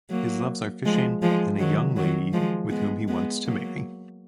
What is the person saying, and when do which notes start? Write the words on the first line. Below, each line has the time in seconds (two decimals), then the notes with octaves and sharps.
His loves are fishing and a young lady with whom he wants to marry.
0.10 F#3 A#3
0.85 F3 G#3
1.22 F3 G#3
1.59 D#3 F#3
1.97 D#3 F#3
2.33 F3 G#3
2.70 G#3 B3
3.08 G#3 B3
3.45 F#3 A#3